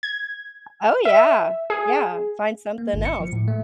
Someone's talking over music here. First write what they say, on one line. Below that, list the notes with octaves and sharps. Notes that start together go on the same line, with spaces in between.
Oh, yeah. Yeah, find something else.
G#6
E5
G#4
A#3
G1
C#7
F3
A2
A3